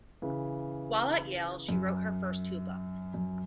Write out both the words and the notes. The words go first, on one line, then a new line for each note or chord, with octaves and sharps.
While at Yale she wrote her first two books.
C#3 E3
F#2
F#2